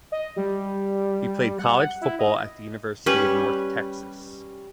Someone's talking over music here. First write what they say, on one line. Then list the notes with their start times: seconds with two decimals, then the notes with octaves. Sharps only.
He played college football at the University of North Texas.
0.12 D#5
0.36 G3
1.59 F#5
2.01 E4
2.19 D#5
3.06 G3 C#4 B4